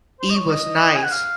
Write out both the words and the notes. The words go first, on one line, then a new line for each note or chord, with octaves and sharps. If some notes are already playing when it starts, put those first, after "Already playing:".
E was nice.
C5
D#5
C#5
D#5
G#5
F#5
F5